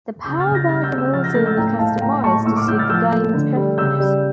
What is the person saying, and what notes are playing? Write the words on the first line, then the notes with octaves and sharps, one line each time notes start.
The power bar can also be customised to suit the gamer's preference.
C#3 E6 G6
F6 A6
C#3
G6 A#6
G3 F6 A6
E6 G6
C#3
E6 G6
F3 F6 A6
G6 A#6
A3 F6 A6
E6 G6
A2 G5 A#5
A2 F5 A5
A2 G5 A#5
A2 A5 C#6
A2 C#6 E6
D6 F6
A2 E6 G6
F6 A6
F3 E6 G6
A3
D3
G3
C#3 E6 G6
G3